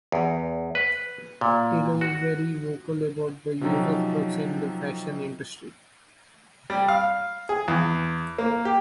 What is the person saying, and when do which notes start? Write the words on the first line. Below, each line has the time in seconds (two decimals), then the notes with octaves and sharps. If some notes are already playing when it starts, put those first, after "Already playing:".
Taylor is very vocal about the use of drugs in the fashion industry.
0.12 E2
0.75 B4
1.41 A#2
2.01 F#4
3.61 C3 F3 F#3 C#4 D#4 A4
6.70 G3
6.88 F5
7.49 G#4
7.68 E2
8.38 A#3
8.65 G4